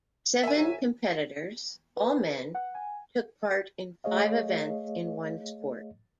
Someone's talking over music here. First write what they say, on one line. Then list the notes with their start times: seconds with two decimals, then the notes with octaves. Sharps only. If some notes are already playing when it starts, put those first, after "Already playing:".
Seven competitors, all men, took part in five events in one sport.
0.43 D#3 E5 G#5
0.56 C2 F#3
1.96 B4
2.55 F#5
2.74 G#5
4.04 A3 G#4 C#5 D#5 F5